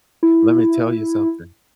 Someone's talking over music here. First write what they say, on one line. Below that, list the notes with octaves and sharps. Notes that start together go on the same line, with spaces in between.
Let me tell you something."
E4